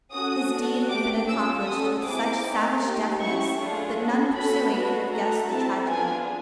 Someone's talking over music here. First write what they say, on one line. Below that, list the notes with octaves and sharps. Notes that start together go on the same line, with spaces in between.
His deed had been accomplished with such savage deftness that none pursuing could have guessed the tragedy.
C#4 F#4 A4 D#6
D4 F#4 A4
A3 D4 G4 D6
C#4 F4 A4 E6
C#4 F#4 A4 D#6
C4 E4 G#4 D6
C4 D#4 G#4
A#3 D#4 G4
C#4 E4 G4 C#6
A3 D4 F4 G#4
C#4 F#4 A4
C#4 F#4 A4 B5
B3 D4 F#4
A3 D4 F#4 A4 A#5
C4 E4 A4 A5
B3 D4 F4 G#4 G#5